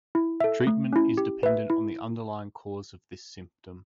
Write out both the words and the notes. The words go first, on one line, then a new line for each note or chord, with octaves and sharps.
Treatment is dependent on the underlying cause of this symptom.
E4
A4 E5
A3
C#4 E4
G4
B4 E5
E4